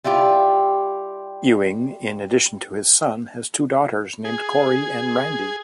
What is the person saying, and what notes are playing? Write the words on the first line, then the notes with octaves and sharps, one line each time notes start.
Ewing, in addition to his son, has two daughters named Corey and Randi.
G3 E4 F4 G4
G#4